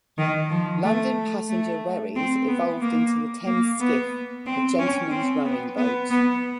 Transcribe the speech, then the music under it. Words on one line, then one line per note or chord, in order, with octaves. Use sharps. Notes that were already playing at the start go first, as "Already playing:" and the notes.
London passenger wherries evolved into the Thames skiff, a gentleman's rowing boat.
D#3
F3
A3
A3
C4
B3
A#3
A#3
B3
C4
C#4
C4
B3
B3
B3